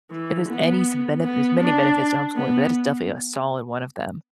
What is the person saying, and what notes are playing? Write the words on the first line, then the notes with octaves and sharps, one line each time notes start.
if there's any some benefit there's many benefits to homeschooling, but that is definitely a solid one of them.
E3
B3
B3
D4
B3